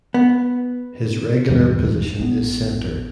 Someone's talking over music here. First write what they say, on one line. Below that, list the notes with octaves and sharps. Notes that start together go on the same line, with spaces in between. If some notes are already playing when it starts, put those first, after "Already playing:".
His regular position is centre.
B3
D#1 G#2 E3 G3
A#1 B3